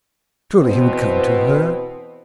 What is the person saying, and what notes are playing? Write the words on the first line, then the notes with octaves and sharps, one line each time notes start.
Surely he would come to her!
E2 B2 B3 C4 B4 C5